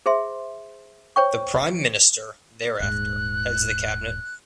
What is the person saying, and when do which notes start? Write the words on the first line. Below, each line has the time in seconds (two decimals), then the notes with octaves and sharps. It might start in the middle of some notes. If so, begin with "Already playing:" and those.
The prime minister thereafter heads the Cabinet.
0.06 G#4 C5 E5 C6
1.16 C5 C#5 G5 C#6
2.80 D#1 G#2 F#6